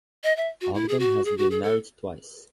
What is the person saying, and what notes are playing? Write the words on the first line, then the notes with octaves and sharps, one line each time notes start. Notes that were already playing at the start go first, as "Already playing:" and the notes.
Ogden has been married twice.
D#5
E5
F#4
E4
G#4
F#4
G#4
F#4
G#4
A4